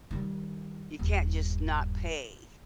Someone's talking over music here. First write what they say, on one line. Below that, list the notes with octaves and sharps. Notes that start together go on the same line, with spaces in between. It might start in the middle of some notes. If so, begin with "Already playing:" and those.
You can't just not pay,
D#3 G3
D#1 G2